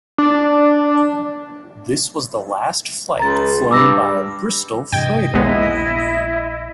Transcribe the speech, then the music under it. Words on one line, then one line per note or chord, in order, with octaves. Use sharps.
This was the last flight flown by a Bristol Freighter.
D4
C#2 A#5 A6
G2 D6 E6 A#6
G2 C3 E3 D#5 G5 G#6
A#1 D#2 G#3 B3 E4